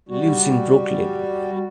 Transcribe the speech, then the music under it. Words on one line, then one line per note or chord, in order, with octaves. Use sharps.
Lives in Brooklyn.
G3 F#4